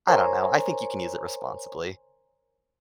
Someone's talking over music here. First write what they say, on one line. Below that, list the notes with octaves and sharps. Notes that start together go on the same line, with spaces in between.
I don't know. I think you can use it responsibly.
A#4 C5 C#5 G#5 A#5 C6